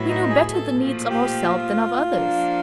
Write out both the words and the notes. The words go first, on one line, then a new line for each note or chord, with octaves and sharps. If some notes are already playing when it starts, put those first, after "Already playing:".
We know better the needs of ourselves than of others.
Already playing: A2 F#3 B3 E4
D#4
G#4
G#4
A4
A#2 F3 A3
G4
F4
F3 A#3 D4